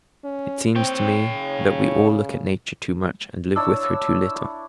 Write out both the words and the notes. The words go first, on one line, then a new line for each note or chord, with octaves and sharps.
It seems to me that we all look at Nature too much, and live with her too little.
C#4
C4 C#5 G5
C#3
D4 E4 C#5 E6